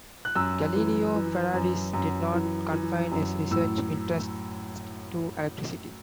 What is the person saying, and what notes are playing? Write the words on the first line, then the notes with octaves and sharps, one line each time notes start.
Galileo Ferraris did not confine his research interests to electricity.
F#6
F#2 E6
E3
E3
F#2
F#2
E3
E3
F#2
A2 E6